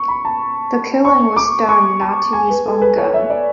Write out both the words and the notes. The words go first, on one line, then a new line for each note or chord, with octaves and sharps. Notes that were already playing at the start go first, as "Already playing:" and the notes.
The killing was done not to his own gun.
Already playing: C#6
B5
A5
C#6
D6
C#6
A5
G#5
B4
A4
B4
C#5
E5
D5